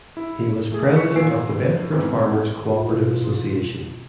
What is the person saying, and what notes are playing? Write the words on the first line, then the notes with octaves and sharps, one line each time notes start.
He was president of the Bedford Farmers' Cooperative Association.
E4
A3 G#4
C#6 B6 C#7
A#2 G#5 C7 D7
G2
E2 G#2 E3 C4
F4
B2 E4